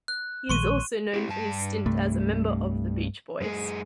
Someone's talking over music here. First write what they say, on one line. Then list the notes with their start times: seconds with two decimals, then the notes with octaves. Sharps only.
He is also known for his stint as a member of The Beach Boys.
0.08 F#6
0.49 A#1 D#3 G#3 C6 C#6 D#7
1.14 E4 G4
1.29 G2 A5
1.86 C2 A3
3.41 F#2 G#3 G#4